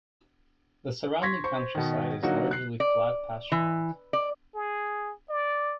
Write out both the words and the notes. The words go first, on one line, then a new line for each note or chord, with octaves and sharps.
The surrounding countryside is largely flat pastureland.
C6 C#6 G#6 A#6 B6
C5 C#6
B2 D#3
D3 F#3 A#3 D#4 F#4
F#6 C7
D5
E3
D5
G#4
D5